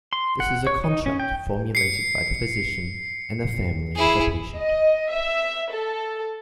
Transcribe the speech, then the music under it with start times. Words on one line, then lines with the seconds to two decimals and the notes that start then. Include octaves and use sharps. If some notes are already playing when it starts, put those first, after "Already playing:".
This is a contract formulated by the physician and the family of the patient.
0.13 C6
0.40 F#5
0.67 C#5
0.84 D#4
1.06 C#4
1.20 G5
1.75 C7 C#7
3.96 E4 G#4
4.55 D#5
5.10 E5
5.71 A4